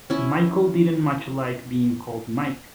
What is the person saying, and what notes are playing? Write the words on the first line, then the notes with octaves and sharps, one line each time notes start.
Michael didn't much like being called Mike.
C#4 E4